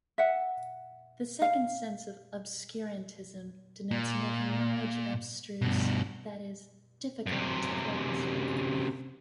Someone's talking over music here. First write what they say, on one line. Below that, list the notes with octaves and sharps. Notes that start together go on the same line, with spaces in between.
The second sense of "obscurantism" denotes making knowledge abstruse, that is, difficult to grasp.
E5 F#5
F5
A#2
G2 B2
F#2 C3